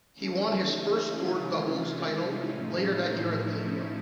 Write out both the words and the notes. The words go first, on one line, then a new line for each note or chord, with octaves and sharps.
He won his first tour doubles title later that year at Cleveland.
C#3 E3 A3 C#4
D#4
E4
F4
C3 E3 G#3 C#4
E4
D#4
A2 F3 A3 C#4
E4